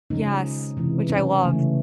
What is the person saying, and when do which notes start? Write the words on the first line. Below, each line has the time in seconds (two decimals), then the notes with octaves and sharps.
Yes, which I loved.
0.10 C#3 F3 G#3 C#4 D#4
0.77 C3 E3 G#3
1.10 C#4 D#4
1.43 C#3 E3 A3